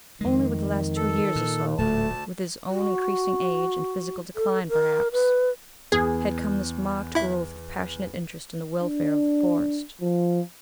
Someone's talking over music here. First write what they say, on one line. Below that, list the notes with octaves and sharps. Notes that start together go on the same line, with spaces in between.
Only with the last two years or so--with his own increasing age, and physical decline perhaps--had come this marked growth of passionate interest in the welfare of the Forest.
F2 D#3 G#3
A4
A#2
D1 D2 A#2 A3 A5
F#4
A4
A#4
B4
E2 G#4
E4 E5
D4
F3